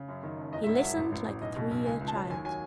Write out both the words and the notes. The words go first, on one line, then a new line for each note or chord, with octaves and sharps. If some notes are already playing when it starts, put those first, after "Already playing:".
"He listened like a three-year child."
Already playing: C#3
F#2
D#3
F#1
E2 D#5
E5
E1
F#5
F#3 E5
A1
A1
A1
B1 D#5
B2
B1
C#2 G#5
C#2
A5
F#3
D#2 G#5
F#3 G#5